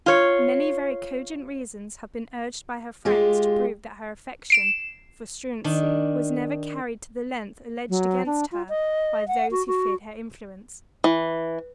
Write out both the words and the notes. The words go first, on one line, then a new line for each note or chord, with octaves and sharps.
Many very cogent reasons have been urged by her friends to prove that her affection for Struensee was never carried to the length alleged against her by those who feared her influence.
F4 C#5
G#3 F4 G4
C7 D7 E7
D#3 D4
F#3
D4
F4
D#5
F#5
F#4
F#4
E3